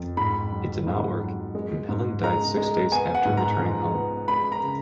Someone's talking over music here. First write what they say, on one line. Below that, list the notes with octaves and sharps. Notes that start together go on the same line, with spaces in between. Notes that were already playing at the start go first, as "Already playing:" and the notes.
It did not work, and Pilling died six days after returning home.
Already playing: F2
G#2 B5
F#3
G#2
F#3
G#3
G#2
G#3 A#5
G#3
B3 G#5
F#5
G#2
A#5
F3
B3
G#3 B5
A#5
C#3